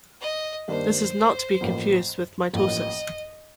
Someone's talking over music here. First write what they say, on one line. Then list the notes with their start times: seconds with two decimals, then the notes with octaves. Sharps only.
This is not to be confused with mitosis.
0.21 D#5
0.68 G2 D#3 A#3 D4 C5
1.60 A1 A2 F3 A#3
2.53 A1 A2 F3 A#3 D#5